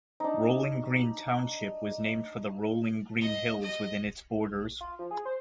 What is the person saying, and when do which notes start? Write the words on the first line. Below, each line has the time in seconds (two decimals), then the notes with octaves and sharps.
Rolling Green Township was named for the rolling green hills within its borders.
0.20 D4 D#4
3.21 D#5
3.61 D#5
4.81 F4
4.99 F3
5.11 G#4
5.25 C5